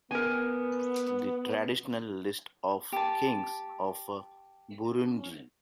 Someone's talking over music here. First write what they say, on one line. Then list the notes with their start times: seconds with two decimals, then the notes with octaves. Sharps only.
The traditional list of Kings of Burundi.
0.11 B3 A#4 G#5
2.92 G4 A5